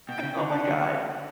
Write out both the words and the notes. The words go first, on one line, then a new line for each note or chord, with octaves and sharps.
Oh my god.
B2 G5
C#3
D3 F#5
C#3
D3